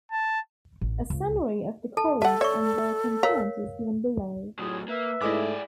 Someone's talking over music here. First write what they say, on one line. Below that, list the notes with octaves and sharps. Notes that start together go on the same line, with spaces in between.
A summary of the quarries and their contents is given below.
A5
A1
C#2
A4 A5
A4 E5 F#5 A5
C#5 D5 E5 C#6
A#4 C#5 F5 A#5
A2 F#3 A3 F4 G#4
A#3 B4 E5
G#2 G#3 A3 E4 D5 D#5 D6